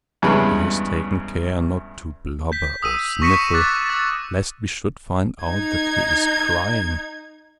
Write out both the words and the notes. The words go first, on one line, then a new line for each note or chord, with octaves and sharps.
He has taken care not to blubber or sniffle, lest we should find out that he is crying.
E2 G2 C#3 G#3 B4 B5
G6 B6
D#6 E6 D#7
C#6 A#6 B6 C#7 D#7 E7
C#6 D6 F#6 A6 B6
E6 A6
D#4 G#6